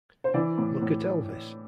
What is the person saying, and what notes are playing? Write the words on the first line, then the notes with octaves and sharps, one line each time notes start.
Look at Elvis.
C5
E3 D5
A2
A2